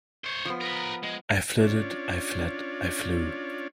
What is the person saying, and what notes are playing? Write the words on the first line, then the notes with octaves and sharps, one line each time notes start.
I flitted, I fled, I flew.
C5 C#5
F3 B3
A#4 B4
G#3
C#4 D4 F4 C#5 D5